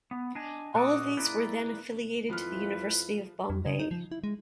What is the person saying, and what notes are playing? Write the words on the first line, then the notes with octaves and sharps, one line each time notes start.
All of these were then affiliated to the University of Bombay.
B3
D4 D#5 G#5
A#2 F#4 A4 D5 D#5
A#3 E4 G#4 B4 D5
F2 F3 E4 B4 F6
F2
C#3
D#4
F3
E4
G#3